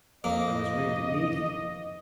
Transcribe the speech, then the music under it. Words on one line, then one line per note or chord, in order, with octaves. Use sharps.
I was really needed.
F2 A#3 D#5